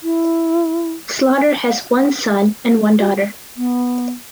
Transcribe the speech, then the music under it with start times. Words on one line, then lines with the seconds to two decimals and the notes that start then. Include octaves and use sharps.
Slaughter has one son and one daughter.
0.03 E4
3.00 F#4
3.57 B3